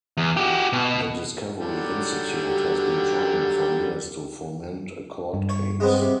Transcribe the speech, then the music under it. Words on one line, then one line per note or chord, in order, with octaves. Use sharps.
The Discovery Institute has been trying for years to foment a court case.
E2
F#4 G4
B2
D3 F#3 G3
G4
G2
C#5
G#3 B3 C4
C3 D6